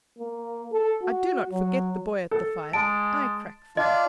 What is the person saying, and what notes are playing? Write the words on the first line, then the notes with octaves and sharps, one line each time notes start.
I do not forget the boy at the fire; I crack for him.
A#3
A4
F#4
F#3
A4
G#3 A5 D7
D4 F4 D5 D#5